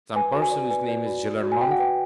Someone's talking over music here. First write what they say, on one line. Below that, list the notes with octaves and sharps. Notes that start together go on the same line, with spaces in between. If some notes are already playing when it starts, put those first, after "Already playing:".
"Some person whose name is Gillenormand?"
B4 G#5
F#4
G#5
D5
B4 G#5
D5
F#4
D5
F#4
G#5
F#4 G5
F#5
B4 G5